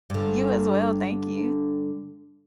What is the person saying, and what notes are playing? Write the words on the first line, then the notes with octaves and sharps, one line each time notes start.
You as well, thank you.
G2 D3